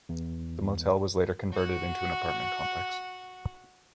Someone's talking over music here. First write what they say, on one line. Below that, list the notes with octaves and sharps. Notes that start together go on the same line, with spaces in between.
The motel was later converted into an apartment complex.
E2
F#4 F#5